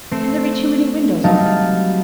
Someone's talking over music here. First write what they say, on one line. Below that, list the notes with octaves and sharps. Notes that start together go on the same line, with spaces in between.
Can there be too many windows open?
A3 C4 C7
F#3 G3 D#4 F5 A5